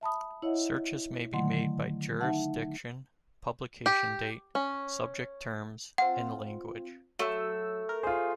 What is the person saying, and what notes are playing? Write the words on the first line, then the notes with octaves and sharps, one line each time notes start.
Searches may be made by jurisdiction, publication date, subject terms, and language.
E5 A5 B5 D#6
E4 C#5 D#5 E5 F#5
D3 D#3 F#3 A3 F#5 C6
D#4 E5 F#5 A5
G4
C#4
C4 F4 F#5
F#3 A3 E6
A#4
F4 G#4 C5